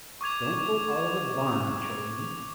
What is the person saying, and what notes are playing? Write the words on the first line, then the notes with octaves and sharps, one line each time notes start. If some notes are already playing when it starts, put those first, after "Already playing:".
'Don't go out of the barn, children.
C#6 D6 G#6 F7